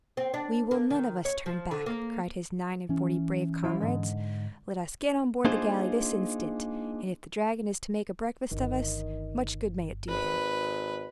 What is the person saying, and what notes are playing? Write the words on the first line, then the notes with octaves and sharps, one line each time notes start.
"We will none of us turn back!" cried his nine and forty brave comrades. "Let us get on board the galley this instant; and if the dragon is to make a breakfast of us, much good may it do him."
C4
D4
A#3
D#3
C#5
F3
D3
A#3
E3 C#4
F3 E4 F4
G#2 D3
A#3 D4 D#4 F4 G#4 C5
G1 D#3
G#1 B4